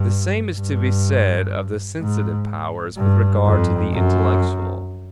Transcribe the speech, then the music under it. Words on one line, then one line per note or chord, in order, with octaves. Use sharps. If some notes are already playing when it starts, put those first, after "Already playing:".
The same is to be said of the sensitive powers with regard to the intellectual.
Already playing: G2
G2
G#2
G2
F2
F#2